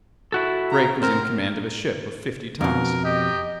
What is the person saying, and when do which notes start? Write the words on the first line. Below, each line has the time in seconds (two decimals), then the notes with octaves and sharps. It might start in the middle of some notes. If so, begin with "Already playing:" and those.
Drake was in command of a ship of fifty tons.
0.32 E4 F#4 A4
0.72 A#5
1.03 C4 A#4
2.61 F2 B2 A#4
3.05 G4 D#5